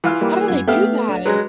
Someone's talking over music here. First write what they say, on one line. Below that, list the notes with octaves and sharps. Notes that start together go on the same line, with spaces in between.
how do they do that?"
E3 F4 F6
G3 A#3
F#2 F#4 G#6
A3 B3 G4 E5 F5
D4
F#3 G#3 B4 A#6